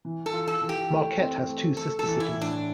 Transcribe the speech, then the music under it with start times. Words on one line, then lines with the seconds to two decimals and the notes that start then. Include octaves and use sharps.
Marquette has two sister cities.
0.05 E3
0.26 A4
0.33 F4
0.48 A4
0.62 E3
0.69 G4
0.91 A3
1.19 C4
1.49 A3
1.77 A3 A4
1.99 A4
2.06 E3
2.20 E4
2.35 A2
2.41 D4